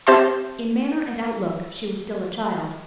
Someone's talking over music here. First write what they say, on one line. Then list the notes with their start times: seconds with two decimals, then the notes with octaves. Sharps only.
In manner and outlook she was still a child.
0.07 C4 G4 E5 A5 C6